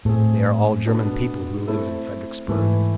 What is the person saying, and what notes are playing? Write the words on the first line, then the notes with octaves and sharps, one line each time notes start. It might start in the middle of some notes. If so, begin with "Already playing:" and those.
They are all German people who live in Fredericksburg.
A2 A3 C4 G#4
B2 B3 D4 A4
A3 C4 E4 A4
G#2 E3 A3 E4 B4